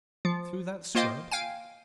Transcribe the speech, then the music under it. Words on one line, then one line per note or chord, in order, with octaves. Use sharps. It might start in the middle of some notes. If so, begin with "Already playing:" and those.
Through that scrub?
F3
A#3 F4 C5 D#5 F5 G5
F5 G5 G#5